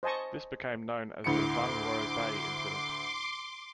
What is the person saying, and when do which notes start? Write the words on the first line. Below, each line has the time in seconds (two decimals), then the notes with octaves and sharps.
This became known as the Vung Ro Bay Incident.
0.03 C5 D#5 G#5 A5 C#6
1.24 D2 A2 C6 D6 C#7